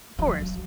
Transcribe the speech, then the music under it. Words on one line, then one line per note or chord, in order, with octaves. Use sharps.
Of course.
F#3